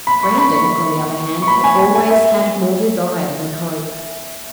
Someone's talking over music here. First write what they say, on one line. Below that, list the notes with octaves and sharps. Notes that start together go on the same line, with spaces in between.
Brandon, on the other hand, had always had more desire than hope.
B5
C#6
B5
C#6
C#6
B5
G#5
G#5
G#5
E5